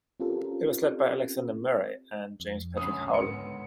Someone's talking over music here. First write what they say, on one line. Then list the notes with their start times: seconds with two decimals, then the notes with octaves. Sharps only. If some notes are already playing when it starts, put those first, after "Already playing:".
It was led by Alexander Murray and James Patrick Howley.
0.20 C4 C#4 F4 G4 A4 A#4
2.40 F2
2.77 D3 G#3 C#4 B4 C#5 E5 F#5 D#6
3.14 G#2 B3 C#7